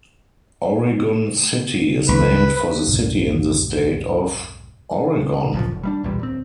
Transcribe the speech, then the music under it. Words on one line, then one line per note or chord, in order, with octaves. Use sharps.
"Oregon City" is named for the city in the state of Oregon.
C#2 B4
B1 F2 G#2 C3
D1 A#1 F#2 F3
F1
G3 A3 D4
B1 E2 A#2 G3
D1 C4